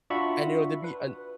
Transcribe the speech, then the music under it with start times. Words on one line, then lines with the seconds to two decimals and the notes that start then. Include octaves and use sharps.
and, you know, to be an
0.10 D4 F4 F#4 E5 B5 C#6
0.84 B4